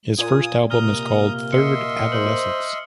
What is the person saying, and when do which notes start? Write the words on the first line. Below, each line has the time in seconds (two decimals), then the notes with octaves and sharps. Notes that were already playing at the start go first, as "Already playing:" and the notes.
His first album is called Third Adolescence.
0.18 A#2 F4 G#5 D#6
0.70 C3 A#5 D#6 F6 G7
1.52 D#5 E5 C6 C#7
2.12 C5 F#7